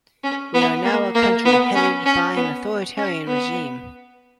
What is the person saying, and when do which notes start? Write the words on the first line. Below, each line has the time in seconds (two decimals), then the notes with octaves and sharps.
We are now a country headed by an authoritarian regime.
0.24 C#4
0.54 B3
0.84 A#3
1.14 A#3
1.45 B3
1.75 C#4
2.06 C#4
2.36 B3
2.97 C#4
3.27 B3